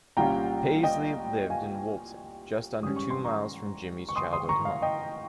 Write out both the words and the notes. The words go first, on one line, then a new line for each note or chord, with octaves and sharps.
Paisley lived in Woolton, just under two miles from Jimmy's childhood home.
C2 A#2 G3 C#4 F4 G5 A#5
D#5 G5
F5 G#5
G#2 G3 C#4 D#6
C#6
C6
A#5 C#6
C#6
C6 D#6
C6 D#6
A#5 C#6
F5
D#5 G5